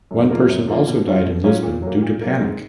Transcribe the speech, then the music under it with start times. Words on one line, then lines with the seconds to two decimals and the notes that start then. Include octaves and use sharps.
One person also died in Lisbon due to panic.
0.11 F#2
0.29 F3 A#3 F4
0.48 F#2
0.67 F3 A#3 F4
0.87 B2
1.06 F#3 C#4 F4
1.25 B2
1.44 F#3 C#4 F4
1.63 A#2
1.82 F#3
1.87 A#3
2.02 A#2
2.21 F#3 A#3
2.40 G#2